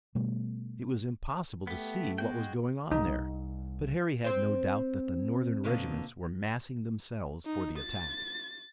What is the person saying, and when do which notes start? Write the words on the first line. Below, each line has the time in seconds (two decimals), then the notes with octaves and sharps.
It was impossible to see what was going on there, but Harry had no doubt that the Northern regiments were massing themselves for the attack.
0.15 B2 G3 A3 B3
1.67 A3 B3 G4
2.18 G#3 B3 F#4 G5
2.92 C2 D#4
4.24 C4 C5
5.64 B2 D3 A#3
7.46 D#4
7.78 A6